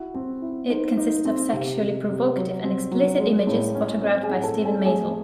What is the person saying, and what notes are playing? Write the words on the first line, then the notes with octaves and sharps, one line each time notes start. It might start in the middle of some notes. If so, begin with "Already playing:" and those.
It consisted of sexually provocative and explicit images, photographed by Steven Meisel.
Already playing: E4 F#4 F#5
C4
E4
D#4 C5
D#4
C4
C3
C3
C3
F#3 C#5
C4
F#3
G#3
A2
C#4
C4 C#5
G#4 G#5
A2
A4 A5
C4
G#4 G#5
A3 G#4 G#5